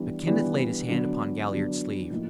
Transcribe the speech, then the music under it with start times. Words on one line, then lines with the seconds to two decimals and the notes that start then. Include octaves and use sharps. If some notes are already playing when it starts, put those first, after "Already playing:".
But Kenneth laid his hand upon Galliard's sleeve.
Already playing: E3 G3 B3 D4
0.26 E3 G3 B3 D4
0.88 D3 F#3 B3 D4
1.49 D3 F#3 B3 D4
2.11 A2 F3 A#3 D#4